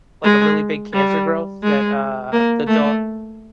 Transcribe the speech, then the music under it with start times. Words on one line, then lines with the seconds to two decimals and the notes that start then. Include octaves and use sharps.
like, a really big cancer growth that, uh, the do
0.24 G#3
0.93 G3
1.63 G#3
2.33 A#3
2.67 A3